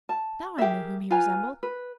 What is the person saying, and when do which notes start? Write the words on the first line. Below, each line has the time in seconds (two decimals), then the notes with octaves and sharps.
Now I knew whom he resembled.
0.09 A5
0.58 G4 G#4 A#4 E5
1.10 F4 B4 G#5 A#5
1.63 B4